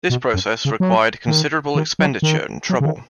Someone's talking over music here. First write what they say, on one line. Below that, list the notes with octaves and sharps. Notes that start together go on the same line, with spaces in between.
This process required considerable expenditure and trouble.
B2
F#2
C#3
F#3
D#3
D#3
F#3
D#3
F#3
C#3
D#3